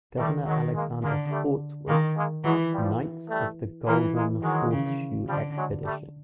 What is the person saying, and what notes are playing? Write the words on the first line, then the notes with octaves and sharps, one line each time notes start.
Governor Alexander Spotswood's "Knights of the Golden Horseshoe Expedition".
D#3 G3 A3
D#3 F#3 G#3
G#3 A#3
D3 G#3 A#3
G3 A3
D#3 G#3 A#3
G#3 A#3
E3 F#3 G#3
F3 G3
G3 A3
E3 G#3 A#3
G#3 A#3
D#3 F#3 G#3
C#3
D3 F3 G3
F#3 G#3
G3 A3